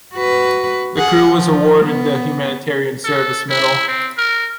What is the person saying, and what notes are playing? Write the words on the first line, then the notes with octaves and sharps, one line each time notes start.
The crew was awarded the Humanitarian Service Medal.
F#4 B4
G#4 F#5
F3
B3
A4
E4
C4
A#4